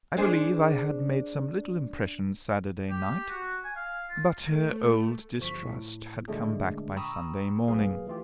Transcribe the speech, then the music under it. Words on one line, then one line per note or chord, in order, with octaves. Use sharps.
I believe I had made some little impression Saturday night, but her old distrust had come back by Sunday morning.
D4 G#4 C5
G4
F#4
G#5
F5
F4
A3
G1 F3 C#6 B6
A2
A#2 D3 G#3 A3 D4 G#4
G5 A#5 B5 C#6 D#6 E6
B1 A#3 G#4 B4 F5
E3 A3 F4 G4